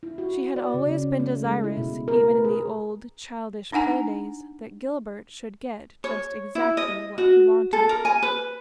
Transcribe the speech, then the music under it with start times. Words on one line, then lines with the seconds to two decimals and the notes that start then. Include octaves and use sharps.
She had always been desirous, even in the old, childish play-days, that Gilbert should get just exactly what he wanted.
0.03 E4
0.18 F#4
0.56 D5
0.74 C#3
0.91 C#4
1.19 A3
1.45 G#3
1.64 E4
1.77 B2
2.08 A#4
2.31 B4
2.45 G#4
3.72 D4 D#4 F#5 G#5 A#5
6.04 C#5
6.55 E4
6.77 D#5
7.18 F#4
7.73 A4
7.89 A#4
8.05 G#5
8.22 B4